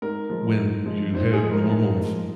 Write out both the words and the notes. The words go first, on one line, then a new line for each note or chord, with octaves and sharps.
when you have normal f
G#2 A#4
F3 G#3
G#2
F3 G#3
G#2 C5
G#4
F3 G#3
A#4
G#2
F3 G#3